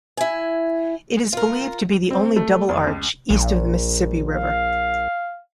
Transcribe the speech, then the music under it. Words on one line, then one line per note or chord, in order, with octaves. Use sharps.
It is believed to be the only double-arch east of the Mississippi River.
E4 G#5
F4 A#4
C4
A3
F1
C#2
A#1
F5